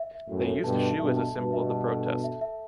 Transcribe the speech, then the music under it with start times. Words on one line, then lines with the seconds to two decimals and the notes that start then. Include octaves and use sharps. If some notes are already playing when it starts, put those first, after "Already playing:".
They used a shoe as a symbol of the protest.
Already playing: E5
0.11 E5
0.28 F#2 A2 F#4
0.47 A4
0.64 G2 B2 A5
0.82 A5
0.99 G2 B2 E5
1.17 A5
1.35 G2 B2 A5
1.53 E5
1.70 A5
1.88 A4
2.06 A5
2.24 E5
2.41 E5